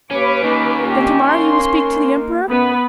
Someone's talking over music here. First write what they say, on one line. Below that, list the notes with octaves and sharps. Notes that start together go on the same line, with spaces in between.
"Then tomorrow you will speak to the Emperor?"
D#2 C#4 B4 D6
A#3 C#4 D#4
A#2 G4
C6
F#2 B3 B4